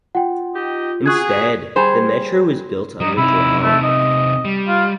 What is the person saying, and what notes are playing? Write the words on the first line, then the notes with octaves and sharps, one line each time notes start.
Instead, the metro was built underground.
F4 F#5 G5
D#4 G4 D#5
F#4 G#4 C#6 F#6 G#6
G3 G#4 C5
F#3 G3 D#4
C3 D#4 E4
A3
D#5
G3
F4